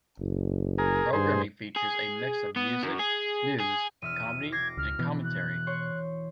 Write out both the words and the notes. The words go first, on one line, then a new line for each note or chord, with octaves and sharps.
Programming features a mix of music, news, comedy and commentary.
F#1
G#4 A#4
G2 G#4 C5
G#4
B3
F#2
G#4
G#4
E1 E5 F6 D#7
D6 G#6 A#6 C7
C#2 F6
B2 E3
F#6
C5 C#5 C#6